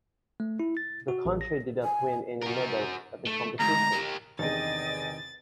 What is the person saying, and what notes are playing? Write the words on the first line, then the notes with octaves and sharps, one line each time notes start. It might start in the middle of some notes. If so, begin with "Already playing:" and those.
The country did not win any medals at the competition.
A3
E4
A6
F#4
A1
A#6
G#5
F#4 A#4
A3
D2 G#2 A#5
G4 A#4
E2 C3 D#3 D4 G#4 D#5 G5 A6